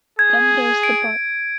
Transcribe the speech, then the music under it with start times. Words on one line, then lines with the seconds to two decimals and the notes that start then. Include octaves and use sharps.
Then there's the but.
0.19 G#4 G#6
0.83 D7